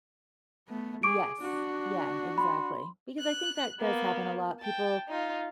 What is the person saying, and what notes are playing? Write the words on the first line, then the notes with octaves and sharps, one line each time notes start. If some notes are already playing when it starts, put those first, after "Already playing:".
Yes. Yeah, exactly, because I think that does happen a lot, people
A3 B3
G#4 C#6 D6 D7
D4 F#4
B5 C6
F#6
A#3 B3
G5 A5
D#4 F4